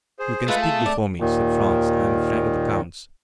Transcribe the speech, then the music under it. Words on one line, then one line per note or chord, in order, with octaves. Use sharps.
"You can speak before me," said Franz; "I am a friend of the count's."
G#4 C5
G#3 A3 F4 G#4 B4
A5
D4
D#2 A#2 D#3